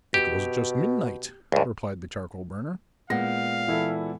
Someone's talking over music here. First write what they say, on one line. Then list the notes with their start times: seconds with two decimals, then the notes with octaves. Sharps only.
"It was just midnight," replied the charcoal burner.
0.14 B2 G4
1.52 C#2 G2
3.10 A#2 G#3 B3 F5 F#5 A#6
3.68 E3 E4 A4